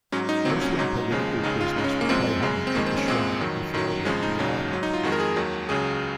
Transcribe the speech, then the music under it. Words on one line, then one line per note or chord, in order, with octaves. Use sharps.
Muslim political prisoners would pay homage at the shrine before leaving the island.
G#2 F#3 C#4
D#4
C2 A#2 F#3 C4
C#4
G#2 F#3 D#4
D#2 C#3 F3 G#3
C#2 C#3 G#3 D#4
F4
C#2 C#3 G#3 D#4
C#4
A#3
F#2 F3 G#3 C4
F#2 C#3 G#3
C4
F2 D#3 G#3 A#3
C4
C#4
C2 A#2 G#3 C4
F2 D#3 F#3
F#2 D#3 F#3
F2 C#3 F3 G#3 C#4
D#4
D#2 C#3 F#3
G#2 F#3
D#4
F4
F2 D#3 G#3 F#4
A#4
G#4
D#2 D#3 F#3
C#2 C#3 F#3 G#4